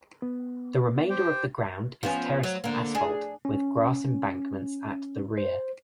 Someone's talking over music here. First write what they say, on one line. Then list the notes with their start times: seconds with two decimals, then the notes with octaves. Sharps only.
The remainder of the ground is terraced asphalt, with grass embankments at the rear.
0.22 B3
1.10 G4 C5 G5
2.03 F3 B3 C#4
2.43 F#3
2.64 D3 A#3
2.95 D4 G#4
3.45 C#4
5.38 C5